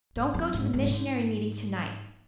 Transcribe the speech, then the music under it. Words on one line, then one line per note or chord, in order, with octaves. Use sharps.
"Don't go to the missionary meeting to-night."
G#2
F2
G#2
G#2
A#2
G#2